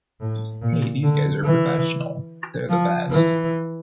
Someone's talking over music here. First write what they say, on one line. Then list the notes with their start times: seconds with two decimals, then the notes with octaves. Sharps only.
Hey, These guys are professional. They are the best.
0.20 A2
0.62 A#2
1.03 D3
1.44 E3
2.69 F3
3.11 E3